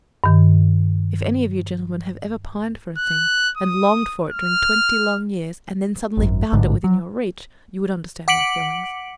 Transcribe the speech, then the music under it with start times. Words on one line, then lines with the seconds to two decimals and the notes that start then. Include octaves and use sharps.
If any of you gentlemen have ever pined for a thing, and longed for it during twenty long years, and then suddenly found it within your reach, you would understand my feelings.
0.24 G2 D#3
2.97 F#6
3.57 D#6
4.29 F6
6.17 G#1 F#2
6.53 A1 G#2 D3
6.84 F#3
8.28 F#5 D6 B6 C#7 D7 F#7